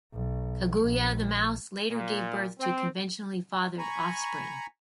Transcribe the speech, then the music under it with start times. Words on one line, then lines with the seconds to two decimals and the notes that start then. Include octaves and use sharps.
Kaguya the mouse later gave birth to conventionally fathered offspring.
0.13 B1
0.81 A#1
1.89 A#2
2.59 C4
3.78 G#5 A#5 B5 C#6